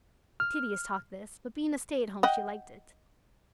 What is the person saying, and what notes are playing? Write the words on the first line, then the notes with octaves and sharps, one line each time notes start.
Tedious talk this, but being a stay-at-home she liked it.
F6
D#5 F#5 G5